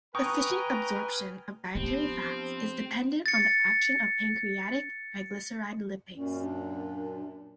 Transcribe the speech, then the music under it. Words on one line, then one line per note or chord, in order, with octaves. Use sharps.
Efficient absorption of dietary fats is dependent on the action of pancreatic triglyceride lipase.
B4 G5 G#5 A#5 C#6 D#6 F6
F3 B3 C4 D4 G4
A6 C#7
F#2 A#2 C#4
D4